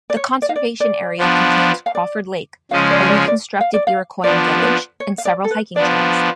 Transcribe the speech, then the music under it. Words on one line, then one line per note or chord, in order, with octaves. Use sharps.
The conservation area contains Crawford Lake, a reconstructed Iroquoian village, and several hiking trails.
D5
C#5
D5
F5
D5
D5
F3 B3 D4
F5
D5
C#3 F3 G#3 C#4 F5
D5
D5
D5
F5
D5
F5
F3 B3 D4 D5
B4
C#5
F5
D5
A4
B4
F3 B3 D4 D5